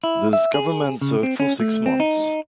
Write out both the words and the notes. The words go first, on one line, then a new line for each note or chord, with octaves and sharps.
This government served for six months.
E4
E5
G#4
C#3
C4
C#4
A3
C4
D#4